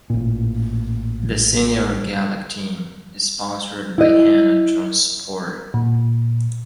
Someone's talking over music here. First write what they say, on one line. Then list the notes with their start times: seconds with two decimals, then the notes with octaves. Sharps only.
The Senior Gaelic team is sponsored by Hannon Transport.
0.10 A1 A#2
3.98 E4 D#5
5.74 A#2